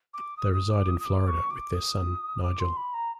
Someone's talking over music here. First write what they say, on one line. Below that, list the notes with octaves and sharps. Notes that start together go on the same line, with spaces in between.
They reside in Florida with their son, Nigel.
D6
D#6
D#6
D6
D#6
D#6
D6
C#6
D6
D#6
D6
C6
B5
A#5